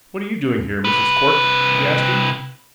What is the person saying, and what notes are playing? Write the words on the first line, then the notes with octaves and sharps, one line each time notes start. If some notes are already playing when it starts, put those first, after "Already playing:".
"What are you doing here, Mrs. Cork?" he asked her.
C3 B4